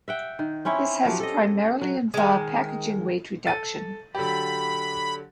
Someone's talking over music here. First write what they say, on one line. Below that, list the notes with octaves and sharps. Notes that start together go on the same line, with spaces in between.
This has primarily involved packaging weight reduction.
E5 F#5 G5
D#3
C4 C#4 E4 C#5
F3 F#3 G4
A4 D#5
F#3
D#3 G#3
A4 A6 D#7
D3 F#3 G4 B5